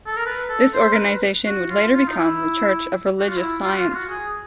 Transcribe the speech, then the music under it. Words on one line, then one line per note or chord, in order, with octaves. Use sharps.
This organization would later become the Church of Religious Science.
A4
A#4
B4
A4
C5
A#4
B4
F#4
F4
F4
D#4
E4
F#4
F4
E4
F4
F#4
F4
F4
F#4
G#4